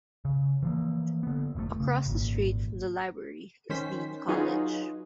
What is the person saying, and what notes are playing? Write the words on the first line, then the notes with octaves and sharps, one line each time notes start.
Across the street from the library is Dean College.
C#3
E3 F3 A#3
D3 B3
F1 B1 A#2 A3
C#3
G#1 A#2
D#3 C#4 C5 B6
F#3 D#4 F4 F#4 G#4 B4